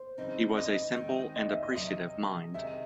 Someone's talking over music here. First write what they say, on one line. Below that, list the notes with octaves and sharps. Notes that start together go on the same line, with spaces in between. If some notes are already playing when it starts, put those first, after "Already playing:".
His was a simple and appreciative mind.
Already playing: C5
F#2 C#3 E3 C4 D#4
D#5
D#3 G#3 C4 D#4
D#5
E5
D#5
C3 F#3 C#4 D#5
C3 D#3 G#3 D#4 E5